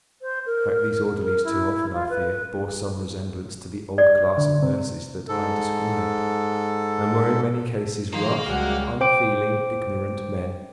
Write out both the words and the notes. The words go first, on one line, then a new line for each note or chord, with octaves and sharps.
In fact, these orderlies too often, I fear, bore some resemblance to the old class of nurses that I described, and were in many cases rough, unfeeling, ignorant men.
C5
A#4
A#4
E4
F4
B4
D5
D3
C3
G#2 A4
D#3 F3 A#3 A#4 F5
C#2 F#3 G3 F#4 G#4 F#5 F6
C5 G5 D6 D7